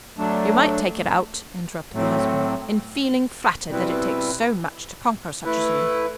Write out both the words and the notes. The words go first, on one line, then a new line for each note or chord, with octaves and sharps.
"You might take it out," interrupted the husband, "in feeling flattered that it takes so much to conquer such as you."
F#3 A3 D4
A2 F#3 A3 C4
B2 G3 C4 E4 B4
A3 E4 B4